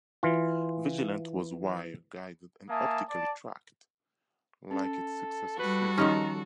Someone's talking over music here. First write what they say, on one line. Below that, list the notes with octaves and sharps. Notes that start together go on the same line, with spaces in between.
Vigilant was wire-guided and optically tracked, like its successor Swingfire.
E3 F4
A#3 E5 G#5 A5 D#6
D5 A5
C#4 A4
G3 F#4 A4 B4
D#3 F3 C#4 D#4 G4 D#5 A#5